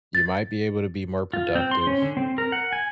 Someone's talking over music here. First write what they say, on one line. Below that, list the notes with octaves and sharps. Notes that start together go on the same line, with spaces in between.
you might be able to be more productive,
A6
F4
C4
C6
C#4
D3
C4
A#4
F#5
G#5